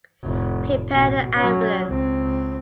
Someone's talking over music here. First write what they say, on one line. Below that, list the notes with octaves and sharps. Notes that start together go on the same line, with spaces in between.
Prepare an ambulance.
F1 A2
A1 B2
F#3 C#4
C#2 C4